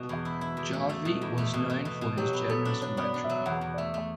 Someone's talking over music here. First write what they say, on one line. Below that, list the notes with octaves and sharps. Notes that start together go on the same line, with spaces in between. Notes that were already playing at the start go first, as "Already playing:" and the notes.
Jarvie was known for his generous philanthropy.
Already playing: B2 F#4
E2
E4
E4
E2
A3
A3
B2
E2
A3
B2
B2
B2
B2
F#3 G4
B3
B3 A4
D4
D4 C#5
B3 C#5
D5
D4
E5
F#3
E2 F#5
E2
D5
A3 E5
A3